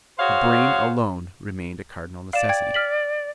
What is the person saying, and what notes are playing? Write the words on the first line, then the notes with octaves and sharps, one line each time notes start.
The brain alone remained a cardinal necessity.
F#4 G#4 C5 C#5 F5
D5 F5 E7
G5 G#6
F6 B6 F#7